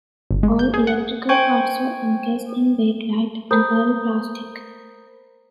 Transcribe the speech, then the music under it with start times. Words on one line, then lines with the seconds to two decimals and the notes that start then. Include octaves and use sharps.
All electrical parts were encased in bakelite, an early plastic.
0.31 G1
0.43 G#3
0.59 G6
0.74 G#4
0.87 F#5
1.29 C5 G5 G#5 C#6 G#6
3.51 A#4 C5 A#5 B5 D#6 G6